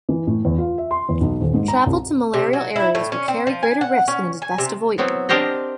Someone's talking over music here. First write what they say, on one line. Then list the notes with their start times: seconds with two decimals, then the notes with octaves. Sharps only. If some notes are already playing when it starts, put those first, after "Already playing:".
Travel to malarial areas will carry greater risks and is best avoided.
0.09 E3
0.27 A2
0.45 E2
0.58 F4
0.78 E5
0.91 C6
1.09 E2
1.21 B1
1.41 D#1
1.54 G#2
1.68 A#5
1.86 C2
2.34 C3
2.53 F#3
2.76 E4
2.95 A2
3.12 C#4
3.28 C4
3.47 F3
3.63 G#5
3.81 F#5
4.08 C#4
4.42 G#5
4.58 C3
4.98 F#3 B3 C4 E4
5.29 C4 D4 G4 A#4 C5 D#5